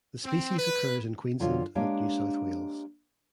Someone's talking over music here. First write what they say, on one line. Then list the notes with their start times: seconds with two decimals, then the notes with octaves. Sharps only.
The species occurs in Queensland and New South Wales.
0.25 C4
0.58 B4
1.40 F2 D3 F4 F#4 C#5 F5
1.75 G#3 A#3 D4 G4 C#5 F5